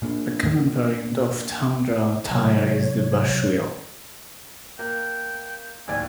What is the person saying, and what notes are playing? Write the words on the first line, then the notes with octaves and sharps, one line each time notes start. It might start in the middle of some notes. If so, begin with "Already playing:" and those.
A common variant of tundra tire is the bushwheel.
A#2 A#3 D4
C3 F#3 C#5
A#3 G5
D1 D#2 D5 G#5